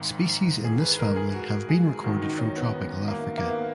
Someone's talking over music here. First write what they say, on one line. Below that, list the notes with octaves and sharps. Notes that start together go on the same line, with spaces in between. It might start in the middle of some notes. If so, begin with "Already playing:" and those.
Species in this family have been recorded from Tropical Africa.
Already playing: G#1 G#2 D#3
G#4
B4
A#4
G#4
F#4
G#4
G#1 F#2 D#3 F#4
D#4
C#4
B3
B3
A#3
A#3
B3